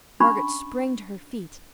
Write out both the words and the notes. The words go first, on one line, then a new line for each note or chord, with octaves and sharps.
Margaret sprang to her feet.
C#4 D4 B5 C#6